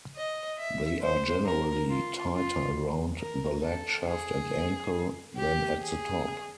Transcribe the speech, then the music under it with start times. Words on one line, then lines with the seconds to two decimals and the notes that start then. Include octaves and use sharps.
They are generally tighter around the leg shaft and ankle than at the top.
0.16 D#5
0.59 E5
1.02 C5
1.45 A#4
1.89 F4
2.33 F4
3.19 A#4
3.63 A4
4.06 G#4
5.37 G4
5.80 G#4